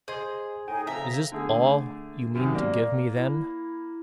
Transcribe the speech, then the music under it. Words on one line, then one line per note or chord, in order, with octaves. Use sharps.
'Is this all you mean to give me, then?'
G#4 C5 D#5 C6
A2 D#4 G#4 G5 G#5
F2 C#3 E5 A#5
D3 A3 G#4
F#2 C3 D#3
A#3 D5
E4